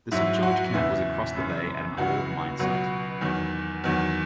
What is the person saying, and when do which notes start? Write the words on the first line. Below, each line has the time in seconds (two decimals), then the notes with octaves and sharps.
The Saint George camp was across the bay at an old mine site..
0.12 G#2 F#3 E4
0.43 F#4
0.74 E2 C#3 E3 E4
1.35 F#2 C#3 E3
1.97 C#2 C#3 E3 F#4
2.59 C#2 B2 F#3
3.21 E2 D#3 F#3
3.84 E2 D#3 F#3